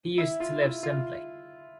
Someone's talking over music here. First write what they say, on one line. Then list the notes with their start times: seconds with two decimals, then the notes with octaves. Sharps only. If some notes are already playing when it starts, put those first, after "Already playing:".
He used to live simply.
0.18 E4
0.40 F4
0.62 E4
0.83 F4